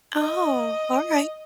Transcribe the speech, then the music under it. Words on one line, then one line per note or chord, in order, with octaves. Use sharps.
Oh, alright.
D#5